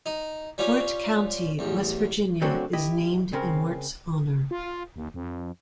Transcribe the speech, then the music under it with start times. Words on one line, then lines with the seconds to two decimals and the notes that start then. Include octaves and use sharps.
Wirt County, West Virginia, is named in Wirt's honor.
0.06 D#4
0.58 G3 C#4 F4
1.59 A1 E2
2.41 C#3 F#3 A3 C4 D4 F#4
2.73 E4 G4 D#5
3.32 C#2 C#3 C4 A#4
4.51 F4
4.96 D#2
5.14 F2